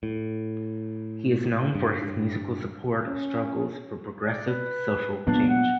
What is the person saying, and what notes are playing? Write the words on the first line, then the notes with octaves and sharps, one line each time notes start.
He is known for his musical support of struggles for progressive social change.
A2
G2
C#4
D5
B4
A#2 F#3 G#3 B3 D4
F#5